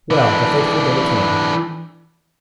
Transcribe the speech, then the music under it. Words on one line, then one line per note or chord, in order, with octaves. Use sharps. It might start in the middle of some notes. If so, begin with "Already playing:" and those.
Well, the fateful day came.
E3 D4